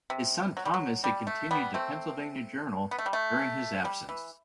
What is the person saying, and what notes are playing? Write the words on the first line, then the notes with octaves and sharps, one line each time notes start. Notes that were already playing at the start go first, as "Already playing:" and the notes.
His son Thomas had continued "The Pennsylvania Journal" during his absence.
C3
F#3
G3
F#3
G3
A3
G3 B3
A3 C4
B3
A3
G3
A3
G3
E3